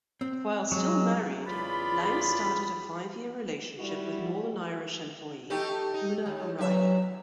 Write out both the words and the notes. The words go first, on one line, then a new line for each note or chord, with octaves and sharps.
While still married, Lange started a five-year relationship with Northern Irish employee Oonagh O'Reilly.
C4
F#3 G#3
E2 C#3 F4 G#4 D5 B5
G3 E4 F#4
A3 D#4 G4
D#4
D#2
G2 F#3 E5